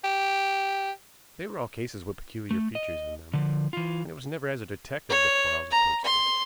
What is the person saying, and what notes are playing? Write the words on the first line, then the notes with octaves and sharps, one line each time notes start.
They were all cases with peculiar features in them, and it was never as a detective that Quarles approached them.
G4
A3
D#5
D3 F3
E3 F4
C#5
A#5
C6